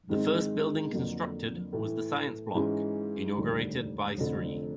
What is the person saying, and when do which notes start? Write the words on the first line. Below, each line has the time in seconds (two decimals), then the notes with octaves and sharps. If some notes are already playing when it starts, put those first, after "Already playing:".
The first building constructed was the science block, inaugurated by Sri.
0.09 G#2 D#3 G#3 C4
0.91 F2 D3 F#3 A#3
1.73 A2 E3 A3
2.55 G#2 E3 G#3 C#4
3.36 F1 D#2 D3 G3
4.18 F1 F2 D3